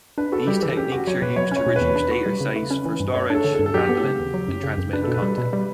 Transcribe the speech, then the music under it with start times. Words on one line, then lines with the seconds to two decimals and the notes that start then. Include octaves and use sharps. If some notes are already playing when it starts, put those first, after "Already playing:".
These techniques are used to reduce data size for storage, handling, and transmitting content.
0.18 D4 B4
0.32 F#4 A4
0.47 G3 G4
0.62 E3 A4
0.77 C#4 G4
0.92 F#4 G4
1.07 F#3 C#5
1.22 B2 B4
1.36 F#3 C#5
1.52 C#4 C#5
1.66 B2
1.76 B4
1.81 E2
1.96 D4
2.11 F#4
2.26 G3
2.41 C#3
2.56 A3
2.71 C#4
2.85 E3
3.00 G2
3.14 A3 C#5
3.30 D4 A4
3.44 D3
3.55 A4
3.59 G2
3.66 A4
3.74 F#3 G4
3.89 B3
4.04 C#3
4.19 E2
4.34 F#3
4.48 F#2
4.64 C#3
4.78 F#2
4.93 D4 B4
5.04 B2 A4
5.14 B4
5.22 G3
5.38 B2
5.53 G3